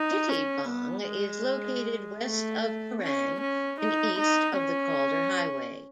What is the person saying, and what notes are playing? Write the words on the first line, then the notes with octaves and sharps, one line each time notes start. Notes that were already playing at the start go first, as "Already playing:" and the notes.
Tittybong is located west of Kerang and east of the Calder Highway.
Already playing: D#4
C#4
B3
G#3
A3
C#4
C#4
D#4
D#4
C#4